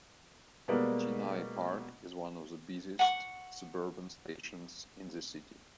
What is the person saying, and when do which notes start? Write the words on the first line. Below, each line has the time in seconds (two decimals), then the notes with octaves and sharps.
Chennai Park is one of the busiest suburban stations in the city.
0.68 B2 G3 G#3 A#3 B3
2.99 F#5 C#6